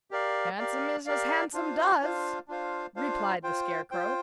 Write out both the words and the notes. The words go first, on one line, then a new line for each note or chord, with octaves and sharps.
"Handsome is as handsome does," replied the Scarecrow.
G4 A#4 D5 F5
G4 A#4 D5 F5
G4 A#4 D5 F5
D4 F4 C5 F5
D4 F4 C5 F5
D4 F4 C5 F5
D4 F4 C5 F5
F4 C5 G5
F4 C5 G5